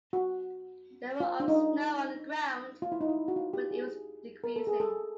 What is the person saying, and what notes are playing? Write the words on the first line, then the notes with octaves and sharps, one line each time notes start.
There were of snow on the ground, but it was decreasing.
F#4
F4
D4
D#4
F4
E4
D#4
E4
F#4
F4
G4
G#4
A#4
A4
G#4
A4